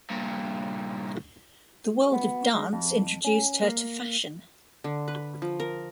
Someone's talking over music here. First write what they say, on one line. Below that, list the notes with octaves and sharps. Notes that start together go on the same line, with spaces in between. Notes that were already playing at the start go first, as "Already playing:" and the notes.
The world of dance introduced her to fashion.
G2 A#2
B3
G#3
F2
C#4
A#3
D3
B4
F3
A#4